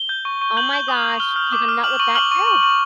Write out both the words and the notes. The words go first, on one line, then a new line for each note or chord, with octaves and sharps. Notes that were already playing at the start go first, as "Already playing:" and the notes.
Oh my gosh. He's a nut with that too!
Already playing: G7
G6
C#6
C#6
G6 F#7
G6
D#6
G6
F6 G7
F6
D6
F6
F6 F#7
C#6 F#7
F6 F#7
C#6
C#6
C#6